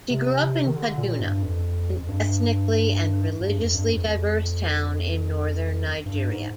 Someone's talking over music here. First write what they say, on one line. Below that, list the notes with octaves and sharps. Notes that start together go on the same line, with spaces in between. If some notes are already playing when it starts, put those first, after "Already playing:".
She grew up in Kaduna, an ethnically and religiously diverse town in northern Nigeria.
C3
C3
D#3
D3
A#2
G2
F2
F2
G2
G2
F2
G2
F2
F2
G2
G#2